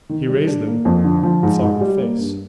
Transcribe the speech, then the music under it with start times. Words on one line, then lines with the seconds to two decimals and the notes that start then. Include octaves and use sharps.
He raised them, and saw her face.
0.09 D#3
0.28 G3
0.47 D4
0.67 A#3
0.85 F2
1.05 D3
1.23 F3
1.43 G#2
1.62 G#2
1.81 G3
2.00 A#3
2.19 G2